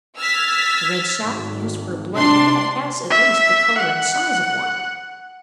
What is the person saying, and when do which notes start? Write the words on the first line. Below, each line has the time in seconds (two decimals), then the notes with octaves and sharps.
The red sack used for a bloody head has at least the color and size of one.
0.19 E6 F6 G#6 A6 B6
1.22 G#1
2.16 C3 D4 C6
3.10 E5
3.78 F#5